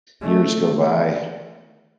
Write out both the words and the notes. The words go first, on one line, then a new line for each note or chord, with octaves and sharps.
years go by,
A3